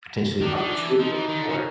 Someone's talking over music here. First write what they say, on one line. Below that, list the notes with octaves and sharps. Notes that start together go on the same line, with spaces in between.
potentially harming children or,
D#3 D4
D#3
E3
F3 D#4
E3
D#3
D3
C#3